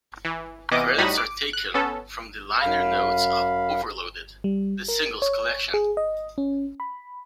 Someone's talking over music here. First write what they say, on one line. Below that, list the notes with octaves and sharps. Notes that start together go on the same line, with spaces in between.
Credits are taken from the liner notes of "Overloaded: The Singles Collection".
E3
C3 E3 B3 D#5 D6
A2 G3 D#4 F#4 B5 D#6
D6
F#6
B3 C#4 A4
F#2 F5 B5
G3
A#4
C#5
G#4
D#5
C#4
B5